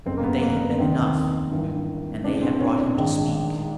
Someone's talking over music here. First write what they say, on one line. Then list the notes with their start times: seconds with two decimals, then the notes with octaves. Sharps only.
But they had been enough, and they had brought him to speak.
0.06 F#1 F2 C#3 C4
0.17 A#3
0.24 B3
0.42 A#3
0.61 B3
0.79 F1 D#2 D#3 C4
1.51 G#1 G2 E3
2.24 F1 F2 C#3 E3 D4
2.42 C4
2.60 C#4
2.78 D4
2.97 A#1 G#2 D#3